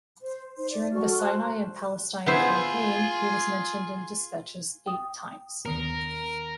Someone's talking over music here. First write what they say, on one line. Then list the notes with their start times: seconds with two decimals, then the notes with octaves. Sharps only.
During the Sinai and Palestine Campaign he was mentioned in despatches eight times.
0.21 C5
0.56 D#4 C5
0.71 D5
0.92 F#4 A4 C#6 F6
1.18 C5 A5 C6 F#6
2.26 B3 E4 F4 G#4 C5
4.86 G5 D#6
5.66 D#2 D#3 B3 A#4